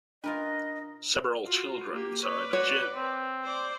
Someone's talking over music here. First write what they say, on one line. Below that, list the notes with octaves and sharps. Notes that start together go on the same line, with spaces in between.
Several children inside a gym.
D4 F4 A#4 B4 D#5
F4 F#4
A#3 G4
B4 C#5 D5
F#4 C#5
C4
C5 D5